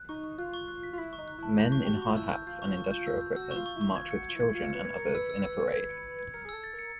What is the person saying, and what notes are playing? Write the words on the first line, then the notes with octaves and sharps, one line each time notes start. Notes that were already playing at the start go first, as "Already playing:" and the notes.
Men in hard hats and industrial equipment march with children and others in a parade.
Already playing: F#6
D#4 C#6
C#6
F4 F#6
C#6
F#6
B6
F4
E4 B6
C#6
D#4
F#6
E4 A5
G6
C#6
G4 C#6
F#4
F4 C#6
E4 E6
G6
F4 G6
C#6
C#6
G6
E6
G6
F#4 E6
F4 C#6
C#6
E4
C#6
F4 G#6
F#4 C#7
F4 G#6
E4
G#6
F4 C#7
B4 C#7
G#6
A#4 C#7
B4 E6
E6
E6
G#6
G#6
C#7
C#7
G#6
A#4 C#7
G#4
A4 E6
A6
A#4
C#7